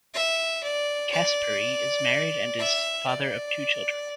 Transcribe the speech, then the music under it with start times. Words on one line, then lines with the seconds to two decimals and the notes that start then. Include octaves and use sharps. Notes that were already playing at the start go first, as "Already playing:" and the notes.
Caspary is married and is father of two children.
0.14 E5
0.63 D5
1.12 D5
2.59 E5
3.08 D5